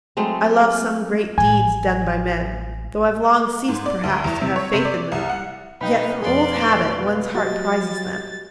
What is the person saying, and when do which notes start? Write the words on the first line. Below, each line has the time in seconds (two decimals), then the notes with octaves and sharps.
I love some great deeds done by men, though I've long ceased perhaps to have faith in them, yet from old habit one's heart prizes them.
0.17 F#3 G#3 A3 C4
1.38 A1 G#5
3.68 G#2
3.86 D5
4.04 D2
4.24 E2
4.41 C3
4.56 C#5
4.73 C3
4.85 D5
5.12 C2
5.29 F#5
5.81 B2 D#4 B4 D#5 F5 G5 B5
6.22 F2 G#4 D5 C6
7.35 F#3 F#4 G4 D#5 A6